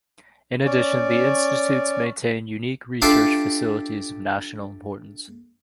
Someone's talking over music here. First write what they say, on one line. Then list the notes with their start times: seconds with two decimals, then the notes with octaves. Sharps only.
In addition, the institutes maintain unique research facilities of national importance.
0.65 C#4 D5
3.02 D4 F4 G4 A4 E5 D6